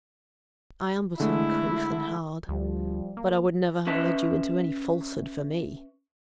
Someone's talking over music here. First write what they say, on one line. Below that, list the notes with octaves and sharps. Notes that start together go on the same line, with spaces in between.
I am but uncouth and hard, but I would never have led you into any falsehood for me.'
D3 G#3 A3 E4
D2 F3 G3
A#3
C#4 B4 D#5 E5 A5